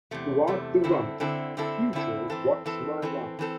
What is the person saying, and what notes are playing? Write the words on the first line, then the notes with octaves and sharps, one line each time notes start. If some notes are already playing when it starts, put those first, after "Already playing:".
Throughout the run, future What's My Line?
E2 C3 A3
E2 C3 A3
D3 C4 E4 A4
D3 C4 E4 A4
D3 C4 E4 A4
D3 C4 E4 A4
E3 C4 A4
E3 C4 A4
E3 C4 A4
E3 C4 A4